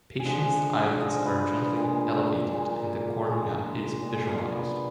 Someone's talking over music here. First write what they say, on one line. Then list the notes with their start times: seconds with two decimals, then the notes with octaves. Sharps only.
Patient's eyelids are gently elevated and the cornea is visualized.
0.20 G#5
0.25 D3 F3 G#3 F#5
0.75 F5
1.00 D3 F3 G#3 D#5
1.26 B4
1.51 F4
1.76 A#2 G#3
2.14 D4
2.51 A#2 G#3
3.27 A#2 G#3
4.02 A#2 G#3 D4
4.27 F4
4.53 B3